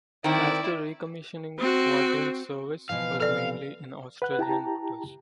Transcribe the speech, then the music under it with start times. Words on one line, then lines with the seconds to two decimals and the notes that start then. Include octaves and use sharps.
After recommissioning, "Quadrant"s service was mainly in Australian waters.
0.24 D#3 C4 E4 D5
1.59 C4 F#4
2.89 B2 E3 F3 F5
3.20 A4 D5 F5
4.22 B4 F#5 F#6
4.39 E4 G4 G5 A5 A#5